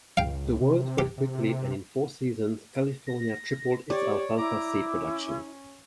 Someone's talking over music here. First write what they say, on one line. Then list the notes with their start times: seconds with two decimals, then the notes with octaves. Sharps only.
The word spread quickly and in four seasons California tripled its alfalfa seed production.
0.17 C#2 F5 G5
0.61 C3
0.98 G4
1.18 C3
3.07 A#6
3.90 G4 C#5 D5
4.38 E4 A#5 D6
4.91 C#4